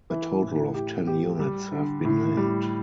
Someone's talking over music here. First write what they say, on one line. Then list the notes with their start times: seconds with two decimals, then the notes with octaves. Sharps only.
A total of ten units have been named.
0.10 E3
0.42 A2
0.74 G4
1.07 G4
1.39 G3
1.72 D3
2.05 A2
2.37 G3